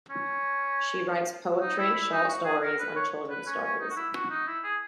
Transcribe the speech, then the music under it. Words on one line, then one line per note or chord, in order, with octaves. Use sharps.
She writes poetry, short-stories and children's stories.
C#4
D#4
E4
E4
D#4
F#4
G#4
A#4
B4
C#5
B4
C#4
C#4
D#4
F#4
E4
F#4
D#4
E4
G#4